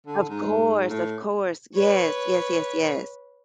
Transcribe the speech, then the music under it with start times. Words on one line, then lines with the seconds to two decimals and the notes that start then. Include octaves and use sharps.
Of course, of course, yes, yes, yes, yes,
0.07 D3
0.29 G#2
0.90 A2
1.75 B4 C#5